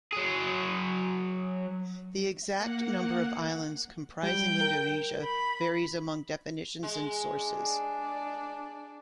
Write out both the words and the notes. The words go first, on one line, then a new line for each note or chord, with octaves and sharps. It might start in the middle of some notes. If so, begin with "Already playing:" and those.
The exact number of islands comprising Indonesia varies among definitions and sources.
F#3 G#4
A#3 F#5
G3 G5
A#4
B5
G#3
D4